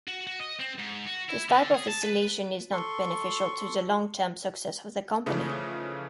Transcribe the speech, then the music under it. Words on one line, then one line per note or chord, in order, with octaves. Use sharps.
This type of oscillation is not beneficial to the long-term success of the company.
F#4
F#4
D#5
C4
G#2
F#4
E4
D3
G#4
A5
B4
A4 C6 C#6
C#3 E3 F3 A3 D#4